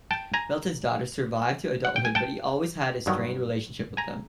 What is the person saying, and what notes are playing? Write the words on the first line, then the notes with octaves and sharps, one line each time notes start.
Milton's daughters survived to adulthood, but he always had a strained relationship with them.
G5 A5
G#5 A#5
F#5
G5
G#5
G5 A5
G2 D#3 F#3 B3
G#5 A#5